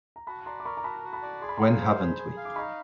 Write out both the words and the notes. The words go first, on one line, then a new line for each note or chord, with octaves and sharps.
When haven't we?
A#5
F#4 A5 B5
D5 A#5 C6
D6
A#4 B5 C#6
A#5
F#4 A5 B5
F#4
A5 B5
D5
G#4 C6
B5
F5 A#5 C6
C5
G#4
G#4
F5
D6
D#4 B5 C#6